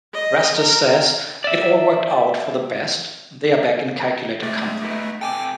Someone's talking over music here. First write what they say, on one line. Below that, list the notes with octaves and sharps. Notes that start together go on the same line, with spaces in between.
Rastus says it all worked out for the best, they're back in calculator country.
D#5
A#4
D5 E5
G#3 A3 D5
B3 D#4 E4
C3 G4 A4 G5 G#5 D6